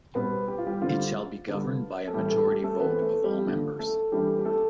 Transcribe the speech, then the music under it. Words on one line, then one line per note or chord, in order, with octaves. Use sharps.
It shall be governed by a majority vote of all members.
B2 G3 B3 C4 B4
G4
F4
G3 G4
D3 G3 C4 F4
D3 G3 B3 D4
A4
A2 E3 G3 A3 G4
A3 A4
G3 G4
A3 A4
E3 A3 B3 C4 B4
A3 A4
G3 G4
D3 F3 A3 D4
A3 A4
E3 G3 A3 D4 G4
G4
A3 A4